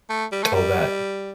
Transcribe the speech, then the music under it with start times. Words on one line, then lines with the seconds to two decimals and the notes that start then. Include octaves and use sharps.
all that,
0.09 A3
0.32 G3
0.43 A3
0.54 G3